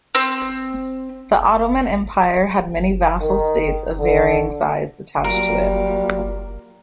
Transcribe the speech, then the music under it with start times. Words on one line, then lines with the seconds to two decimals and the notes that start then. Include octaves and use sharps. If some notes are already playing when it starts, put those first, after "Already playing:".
The Ottoman Empire had many vassal states of varying size attached to it.
0.15 C4
3.21 D#3
3.97 D3
5.24 F#3 G3 A#3 F4 A#4